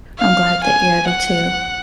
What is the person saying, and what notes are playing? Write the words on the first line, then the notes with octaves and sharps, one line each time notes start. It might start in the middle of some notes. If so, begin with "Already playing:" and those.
I'm glad that you're able to
F5
G#5
F#5